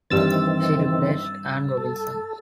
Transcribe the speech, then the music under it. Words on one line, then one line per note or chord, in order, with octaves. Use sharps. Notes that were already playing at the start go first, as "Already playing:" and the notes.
She replaced Anne Robinson.
G2 D#3 E3 C4 E6 A6
A4